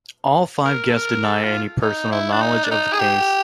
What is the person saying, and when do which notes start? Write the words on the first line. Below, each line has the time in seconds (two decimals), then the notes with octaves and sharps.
All five guests deny any personal knowledge of the case.
0.65 A#4
0.89 A4
0.95 A#4
1.24 A4
1.44 F4
1.82 D#4
2.12 E4
2.32 D4
2.42 D#4
2.64 D4
2.71 D#4
2.93 G#4
3.00 G4